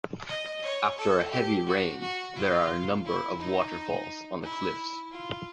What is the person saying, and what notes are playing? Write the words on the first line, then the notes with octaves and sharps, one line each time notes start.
After heavy rain there are a number of waterfalls on the cliffs.
D#5
C#5
A4
G4
F#4
F#4
F4
E4
D#4
E4
F4